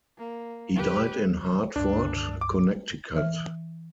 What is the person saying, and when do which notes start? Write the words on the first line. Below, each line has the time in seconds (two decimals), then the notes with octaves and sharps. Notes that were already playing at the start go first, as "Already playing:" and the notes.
He died in Hartford, Connecticut.
0.18 A#3
0.76 G4 B4
1.76 C#2 G2 D4
2.41 D6
3.15 E3 E5 F6